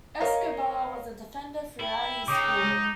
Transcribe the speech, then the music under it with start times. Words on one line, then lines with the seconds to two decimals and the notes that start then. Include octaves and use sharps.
Escobar was a defender throughout his career.
0.20 A#4 C#5 D#5 F5 A#5
1.80 E4 G5
2.28 C#3 D#4 D6 D#6
2.61 G#3